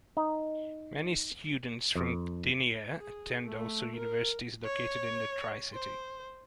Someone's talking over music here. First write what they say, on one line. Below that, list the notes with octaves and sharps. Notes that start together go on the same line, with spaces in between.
Many students from Gdynia attend also universities located in the Tricity.
D#4
F2
G#4
A3
A#4
C#5
C5